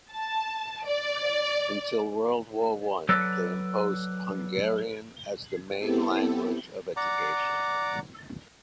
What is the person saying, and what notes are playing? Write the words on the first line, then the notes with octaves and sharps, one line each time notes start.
Until World War One, they imposed Hungarian as the main language of education.
A5
D5
F#3 A4 B4 D5
B3 C4 E4 G4 A4
D5 F#5 A#5 D6